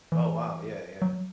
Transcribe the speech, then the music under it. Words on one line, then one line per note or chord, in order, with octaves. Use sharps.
Oh, wow, yeah, yeah.
E3
F#3